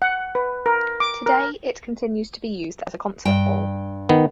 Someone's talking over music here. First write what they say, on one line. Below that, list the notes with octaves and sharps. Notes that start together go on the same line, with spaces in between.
Today, it continues to be used as a concert hall.
F#5
B4
A#4
D6
A#4
G2 G5
D#3 B3